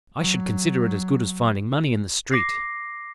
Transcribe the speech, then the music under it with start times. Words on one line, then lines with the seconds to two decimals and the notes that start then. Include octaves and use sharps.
'I should consider it as good as finding money in the street.'
0.19 F#3
2.32 D6 A#6 C7